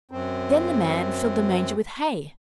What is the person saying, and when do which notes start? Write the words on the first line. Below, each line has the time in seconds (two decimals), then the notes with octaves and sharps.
Then the man filled the manger with hay.
0.11 F#2 C4